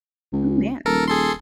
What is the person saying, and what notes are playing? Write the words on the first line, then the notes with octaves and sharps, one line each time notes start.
Oh, man.
C#2
D#1 A4 A#4
G#4 A4 C6